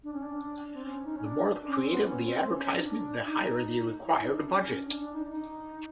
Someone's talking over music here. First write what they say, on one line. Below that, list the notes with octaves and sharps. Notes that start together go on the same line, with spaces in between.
The more creative the advertisement, the higher the required budget.
D4
C#4
D4
C4
C#4
D#4
C#4
D4
C#4
C4
B3
C#4
C4
C#4
D#4
D4
D#4
E4
D#4
D4
C#4
D4
D4
D#4
D#4